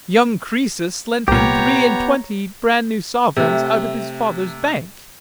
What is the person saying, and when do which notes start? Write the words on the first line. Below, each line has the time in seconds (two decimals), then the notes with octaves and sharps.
Young Croesus lent him three-and-twenty bran-new sovereigns out of his father's bank.
1.28 C2 A#2 B3 G4 C#5 A#5
3.36 C3 A3